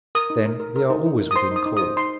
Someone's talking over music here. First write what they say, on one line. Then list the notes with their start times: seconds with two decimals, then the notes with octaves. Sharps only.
Then, we are always within call.
0.15 A#4 D#6
0.30 D#4
0.46 A#4
0.60 A#4
0.76 A#4
0.90 D#4
1.06 D#4
1.21 A#4
1.31 D#6
1.36 C5 C6
1.51 D#4 D#6
1.66 D#4
1.77 C5 D#6
1.96 D#4 C6